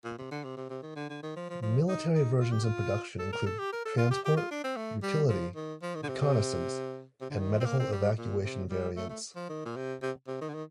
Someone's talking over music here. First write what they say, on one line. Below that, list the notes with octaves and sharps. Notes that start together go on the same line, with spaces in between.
Military versions in production include transport, utility, reconnaissance and medical evacuation variants.
A#2
C3
D3
C3
C3
C3
D#3
D3
D3
D#3
F3
F3
F3
D#4
D#4
F4
G4
F4
A4
A#4
A4
G4
A#4
A4
F4
G4
G4
F4
D4
C4
A3
G3
F3
D#3
F3
D#3
D3
C3
C3
C3
D3
D#3
F3
C4
A#3
C4
G3
A#2
C3
G3
A3
A3
F3
D#3
A#2
C3
C3
C3
D#3
D3
D#3